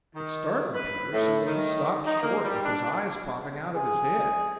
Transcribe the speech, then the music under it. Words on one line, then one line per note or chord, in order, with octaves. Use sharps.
It startled Peter so that he stopped short with his eyes popping out of his head.
D#3
B4
A2
D#3
D#4
A#3
G3
D4
G#4